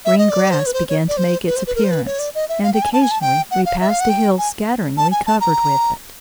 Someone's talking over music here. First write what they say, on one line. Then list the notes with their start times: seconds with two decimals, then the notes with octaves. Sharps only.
Green grass began to make its appearance, and occasionally we passed a hill scatteringly covered with it.
0.05 E5
0.18 D#5
0.30 D5
0.50 C5
0.59 C#5
0.66 B4
0.73 C5
0.89 C#5
1.08 D5
1.17 C5
1.47 B4
1.56 C5
1.67 B4
1.75 A#4
1.84 C5
1.91 B4
2.06 C#5
2.19 D5
2.35 D#5
2.49 E5
2.63 F5
2.74 G5
2.82 G#5
2.93 A5
3.01 G#5
3.11 A5
3.21 G5
3.51 F#5
3.65 F5
3.81 E5
3.90 F5
4.00 F#5
4.09 G5
4.38 G#5
4.97 A5
5.11 G#5
5.26 A5
5.41 A#5